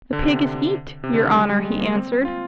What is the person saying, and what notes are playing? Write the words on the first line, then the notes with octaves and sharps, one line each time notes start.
"The pig is eat, your honor," he answered.
D3
C3
C3
D3
D#3
G3
G#3
G3
G#3
A#3
C4
F4